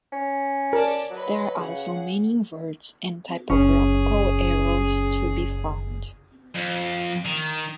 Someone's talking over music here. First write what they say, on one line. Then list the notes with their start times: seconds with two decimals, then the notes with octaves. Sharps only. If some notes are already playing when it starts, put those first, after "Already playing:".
There are also many inverts and typographical errors to be found.
0.12 C#4
0.73 A#4 D5 A5 D6
1.10 F#3 B4 D#5
1.58 C#3 G#4 F#5
3.50 F#1 C#4 G#4
6.55 F2
7.25 D#3